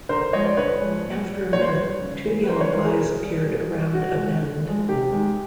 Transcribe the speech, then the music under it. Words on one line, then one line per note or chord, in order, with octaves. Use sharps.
After a minute two yellow eyes appeared around a bend.
D3 A#4 C5
F3 G#3 C#5 D#5
C5 D5
D3 B4 C#5
F3 G#3
A#2
G3
A#2 C#5
C5
B4 C#5
G3
C#3
E3 G#3
B4
C#3 A#4 C5
B4 C#5
E3 G#3 A#4 C5
G#4 A#4
B2
G3
B2
G3
D3 F#4
F3 G#3
D3
F3 G#3
C3 G4
D#3 G#3